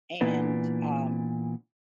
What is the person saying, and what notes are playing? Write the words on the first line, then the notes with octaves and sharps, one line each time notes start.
And, um,
A#2 E3 B3 D4